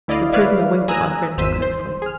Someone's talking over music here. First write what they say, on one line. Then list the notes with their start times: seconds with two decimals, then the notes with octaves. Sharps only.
The prisoner winked at my friend jocosely.
0.08 D2 E4 D5 D#5 F5
0.33 B4 C#5 D5 E5 F5
0.88 G#5 A#5 D#6 E6 F#6 A#6
1.38 G#1 E2 C5 E6 B6 D#7
1.62 C5
2.02 G#4 F6